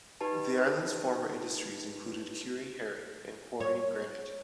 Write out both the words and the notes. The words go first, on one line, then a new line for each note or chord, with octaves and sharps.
The island's former industries included curing herring and quarrying granite.
D#4 G4 B4 A5
C#5